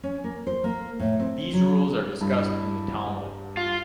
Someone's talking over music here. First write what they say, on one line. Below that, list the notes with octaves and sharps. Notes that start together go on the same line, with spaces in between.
These rules are discussed in the Talmud.
C#4
A#3
C5
A#3
A2
C4
F#3
G2 E4
F4